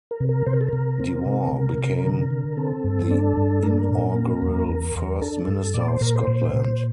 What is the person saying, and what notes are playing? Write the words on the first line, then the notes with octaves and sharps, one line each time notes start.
Dewar became the inaugural First Minister of Scotland.
A#4
C3
A#4
C3 C5
A#4
A4
C3 A#4
C4
C3
C3
C3
D3
D3
C4 A4
G2
D4
G2
D4 A#4
A4
A#4
A#2
A#3
E2
E2
E2
D4 A4
G2
A#2 D5
C5
A#2 A#4
C5
A#2
A#2